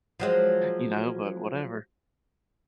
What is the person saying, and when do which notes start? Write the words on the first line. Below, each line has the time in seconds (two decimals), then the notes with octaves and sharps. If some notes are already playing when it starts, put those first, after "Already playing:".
you know, but whatever.
0.20 F3 F#3 G#3